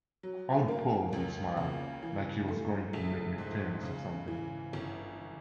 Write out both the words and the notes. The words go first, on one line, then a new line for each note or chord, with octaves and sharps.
I'd pose and smile like he was going to make me famous or something.
F#3
A#3
C#2
C#3
E3
A3
A#1
G#2
C#3
E3
G1